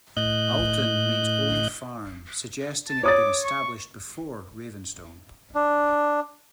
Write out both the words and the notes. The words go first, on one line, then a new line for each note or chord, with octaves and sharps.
Alton means "old farm", suggesting that it had been established before Ravenstone.
A2 D#5 F#6 G6
A5
C#5 D6 D#6 A6
C#6
D4